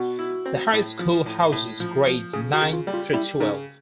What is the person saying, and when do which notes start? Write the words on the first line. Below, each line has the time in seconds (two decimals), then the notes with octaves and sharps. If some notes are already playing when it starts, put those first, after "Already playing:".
The high school houses grades nine through twelve.
Already playing: B2 F#4
0.19 E4
0.46 C4
0.73 A2
0.99 F3
1.26 A2
1.52 A2
1.80 F3
2.06 F3
2.33 C#3 G#4
2.53 F#4
2.61 C#3
2.73 F4
2.87 G3
2.94 F4
3.13 G3 E4
3.40 C#3 D#4